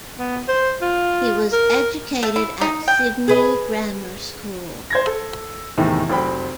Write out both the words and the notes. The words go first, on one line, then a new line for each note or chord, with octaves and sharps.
He was educated at Sydney Grammar School.
B3
C5
F4
A#4
A3
E4
D#4
G5
G#4 B4 D#5
C5 G#6 A#6
A4
E2 A2 C3 D#3
F1 F#3 C4 G5 B5